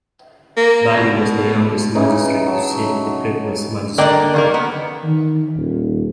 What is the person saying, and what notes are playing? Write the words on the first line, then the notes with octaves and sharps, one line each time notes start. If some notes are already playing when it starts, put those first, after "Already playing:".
Bali was the youngest magistrate to sit at the Kirklees Magistrate Court.
A#3
B2
C#3 E3 D#4
F#3 A5
D3 A#3 A#4 D5 D#5 G5
D#3 A#3 A#4
B3
D#3
D#1